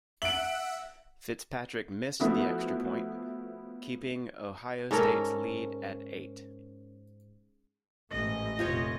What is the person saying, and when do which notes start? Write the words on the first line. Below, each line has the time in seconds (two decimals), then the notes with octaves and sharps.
Fitzpatrick missed the extra point, keeping Ohio State's lead at eight.
0.22 E5 F#5 D7 F#7
2.20 F3 A3 B3 E4 F#4
4.91 G#2 C#4 A4 A#4
8.10 A1 G#2 D#5
8.59 F1 A#2 F4 G4 C#5